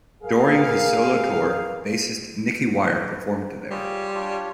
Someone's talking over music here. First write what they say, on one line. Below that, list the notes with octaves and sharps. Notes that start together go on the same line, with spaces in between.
During his solo tour, bassist Nicky Wire performed there.
G#4 A#4 F5
G3 F4 G#4 C#5
D4 F4 C#5